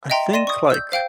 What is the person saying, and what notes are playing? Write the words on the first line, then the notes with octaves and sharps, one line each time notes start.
I think, like,
D#5 E5 G5 A#5 C6
D5 C6 A#6 D#7 E7
C#6 D#6
E6 G6
C5 F5 G5 G6